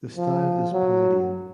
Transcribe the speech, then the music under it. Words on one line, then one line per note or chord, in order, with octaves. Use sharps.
The style is Palladian.
F3
F#3